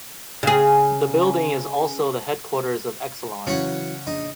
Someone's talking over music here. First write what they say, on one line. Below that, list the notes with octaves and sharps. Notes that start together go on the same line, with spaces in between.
The building is also the headquarters of Exelon.
C#3 G#4
C#3 E3 F#3 C#4 C#5 F#5
A#1 D#4